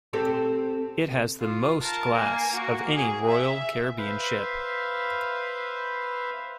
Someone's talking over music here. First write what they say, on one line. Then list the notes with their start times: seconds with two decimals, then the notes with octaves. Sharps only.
It has the most glass of any Royal Caribbean ship.
0.13 C4 G4 A4
1.41 F4
1.82 A#4 A5
2.16 A#3 G#5
2.49 A#3 F#4
2.95 G#4
3.27 E5
3.98 B4 C5 E5 F5